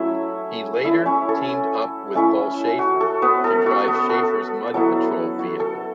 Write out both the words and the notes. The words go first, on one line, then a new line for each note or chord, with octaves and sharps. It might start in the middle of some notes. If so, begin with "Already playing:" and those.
He later teamed up with Paul Shafer to drive Shafer's Mud Patrol vehicle.
Already playing: F#3 A3 C#4 E4 C#5 E5
E4 E5
C#4 C#5
A4
A3 C#4 E4
F#4
A4
B3 B4
A4
F#4
B3 B4
A4
F#3 B3 E4 A4
F#4
A4